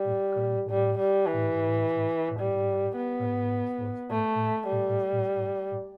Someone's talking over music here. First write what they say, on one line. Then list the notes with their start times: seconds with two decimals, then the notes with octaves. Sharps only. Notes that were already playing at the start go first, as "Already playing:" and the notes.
The current events and the nonsense of everyday life are the main sources of his inspiration.
Already playing: G3
0.70 G3
0.98 G3
1.26 E3
2.40 G3
2.96 B3
4.10 A3
4.67 G3